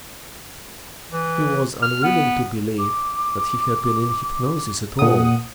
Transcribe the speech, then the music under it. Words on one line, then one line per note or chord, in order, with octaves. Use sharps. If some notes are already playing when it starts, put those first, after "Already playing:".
He was unwilling to believe that he had been in hypnosis at all.
E3
F6
B3
D6
A#2 F#5 D#6